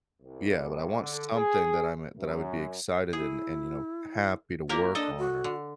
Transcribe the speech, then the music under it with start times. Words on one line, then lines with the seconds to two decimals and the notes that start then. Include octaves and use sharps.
Yeah, but I want something that I'm e that I would be excited and and, you know, happy to work on or
0.22 C2
1.00 D3
1.35 G#4
2.18 F#2
3.13 E4 G#4
4.69 A#3 F4 G4 A#4
4.95 D4 A4 D#5
5.18 F#4
5.44 D3